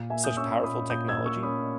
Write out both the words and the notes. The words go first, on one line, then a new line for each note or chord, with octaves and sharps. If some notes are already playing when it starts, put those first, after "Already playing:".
such powerful technology
Already playing: A#2
A#3 E5 G#5
D#6 G6
C#4 C#6 E6
A#2 B5 D#6
A#2 D#6 G6
E6 G#6
A#3
C#6 E6
C#4 B5 D#6